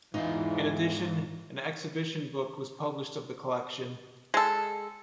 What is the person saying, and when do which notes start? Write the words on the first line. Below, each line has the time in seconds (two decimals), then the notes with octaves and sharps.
In addition, an exhibition book was published of the collection.
0.14 E2 G#2 E3 D#4 F4 F5
4.34 G#3 A4